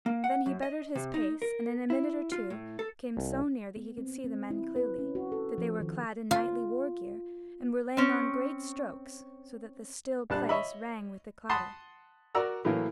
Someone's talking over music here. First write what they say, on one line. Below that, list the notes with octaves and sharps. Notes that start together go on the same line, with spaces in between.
Then he bettered his pace, and in a minute or two came so near that he could see the men clearly, that they were clad in knightly war-gear, and were laying on great strokes so that the still place rang with the clatter.
A#3
F#5
F#2
D#5
C3
D#4
A#4
E4
F4
A2
A4
C2
B3
C4
C4
E4
B4
C#4
F#4
A4
F3
D#3
F4
C4 C#4
A#1 G3 D4 A5 F#6
C#5 D#5 E5 B5
F#5 A5 B5 C6 D#6
F#4 A#4 D5 F#5 A#5 E6
A2 E3 F#3 A#3